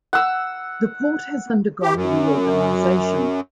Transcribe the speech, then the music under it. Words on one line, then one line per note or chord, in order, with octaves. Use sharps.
The port has undergone reorganisation.
F#5 E6
G4
F#2